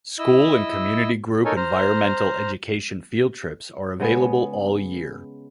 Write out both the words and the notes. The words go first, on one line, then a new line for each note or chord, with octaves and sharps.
School and community group environmental education field trips are available all year.
E4 D#5 E6
D#4 A4 A#4 C#5 G#5
C5 A#5 F6
C#3 G#3 B3